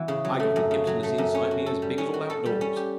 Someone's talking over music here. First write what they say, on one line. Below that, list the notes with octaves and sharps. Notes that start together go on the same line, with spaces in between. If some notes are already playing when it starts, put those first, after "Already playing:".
I got an emptiness inside me as big as all outdoors.
Already playing: E3 B3 F#4
C#3
F#3
A3
F#2
C#3
F#3
A3
F#2
C#4
F#4
A4
G3
C#4
F#4
A4
G3
C#4
G4